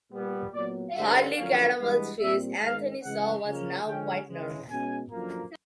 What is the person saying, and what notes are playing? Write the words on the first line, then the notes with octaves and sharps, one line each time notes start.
Harley Caramel's face, Anthony saw, was now quite normal.
A#2 G3 B3
A#2 F#3 B3 D5
G2 D3 G3 C4 E5
F#2 D3 F3 A#3 C#4 F5
G2 E3 G#3 B3 F5
A#2 G3 C4 E5
G#2 D#3 G#3 F5
C#3 E3 G#3 F#5
C#3 F3 A#3 C#4
D3 F3 G#3 C#4 G5
C#3 E3 G#3
B2 G#3 C#4 G#5
F#2 D3 F3 A#3